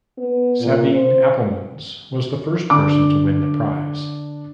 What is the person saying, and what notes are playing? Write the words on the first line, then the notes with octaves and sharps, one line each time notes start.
Sabine Appelmans was the first person to win the prize.
B3
A#2
C5
D3 D4 D6